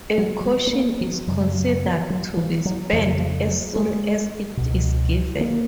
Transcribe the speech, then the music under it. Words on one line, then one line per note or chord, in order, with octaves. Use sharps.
A caution is considered to be spent as soon as it is given.
F#3
F#3
G#3
B3
A#3
F#3
F#2 C#3 F#3
G#3
F#3
F#3
F3
F#3
F2 C#3 F3
F3
F#3
G#3
C#2 B2
A#3